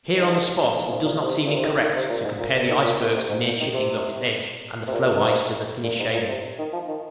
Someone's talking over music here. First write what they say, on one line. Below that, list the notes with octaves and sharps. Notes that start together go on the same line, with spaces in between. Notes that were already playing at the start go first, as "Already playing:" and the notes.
Here, on the spot, it does not seem incorrect to compare the icebergs to mere chippings off its edge, and the floe-ice to the thinnest shavings.
G#2
G#2
A#2
G#2
A#2
C3
A#2
C3
D#3
D#3
C3
A#2
G#2
A#2
A#2
D#3
A#2
G#2
C3
G#2
A#2
D#3
C3
C3
A#2
A#2
G#2
A#2
G#2
A#2
C3
D#3
F3
D#3